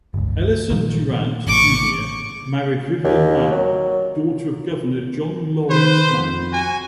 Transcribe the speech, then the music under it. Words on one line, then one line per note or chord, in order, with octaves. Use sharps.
Ellison DuRant, Junior married Vivian Manning, daughter of Governor John Lawrence Manning.
G1 C#2
A#1 D#3 F3
A1 A2 C#6 D6
D#2
F#3
D#3 B4 C5
F2
F#4 G#5